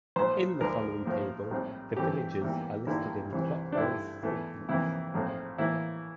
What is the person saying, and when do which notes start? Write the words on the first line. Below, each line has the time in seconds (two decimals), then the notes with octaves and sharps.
In the following table, the villages are listed in clockwise sequence.
0.16 A#1 A#2 F3 C5
0.60 D2 D3 F3 A#4
1.05 A2 F3 A#3
1.51 A#1 A2 G3 C4
1.96 G2 E3 A3 C4 G4
2.42 E2 E3 G3 A#3
2.87 A1 G2 D3 G3 A#3 E4
3.32 C2 C3 E3
3.72 D4
3.77 G2 D3 A3 E4
4.23 E2 E3 A3
4.69 F2 C3 E3 A#3 E4
5.14 A#1 A2 F3 A3 C4
5.58 A2 E3 A#3 E4